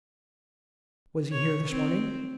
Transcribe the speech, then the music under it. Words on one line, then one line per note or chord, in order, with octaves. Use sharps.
'Was he here this morning?'
C#5
C4